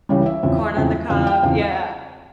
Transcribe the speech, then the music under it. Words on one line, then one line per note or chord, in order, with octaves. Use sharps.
The corn on the cob, yeah.
C#2 C#3 E3 G3 C#5
E5
E2 C#3 F3 C4
E2 C#3 F3 C4
E2 C#3 F3 C4 F5
G5
E2 C#3 F3 C4 F5